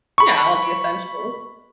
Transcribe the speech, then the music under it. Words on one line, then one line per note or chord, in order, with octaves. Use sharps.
Yeah, all the essentials.
B5 C#6